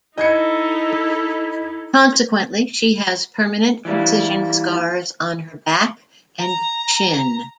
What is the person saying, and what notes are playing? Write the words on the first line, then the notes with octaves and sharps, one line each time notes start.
Consequently, she has permanent incision scars on her back and shin.
D#4 E4 A4 D#5 G#6 C#7
E3 G3 A#3
A#5